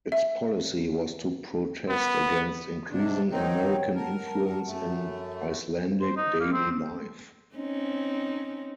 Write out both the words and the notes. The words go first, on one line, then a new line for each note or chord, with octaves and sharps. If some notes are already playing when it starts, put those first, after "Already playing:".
Its policy was to protest against increasing American influence in Icelandic daily life.
E5
B3
G#2 C3 D4
D#3 C4 D#4 C#5 F#5 G5
A#4 F#5 A5
F#2 A3
C5
D#4
A#3
C4
C4 C#4 D#4